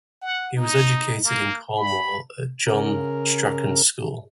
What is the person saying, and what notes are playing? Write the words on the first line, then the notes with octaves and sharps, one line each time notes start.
He was educated in Cornwall at John Strachan's school.
F#5
D#4
A#3
B5
C#3 A#4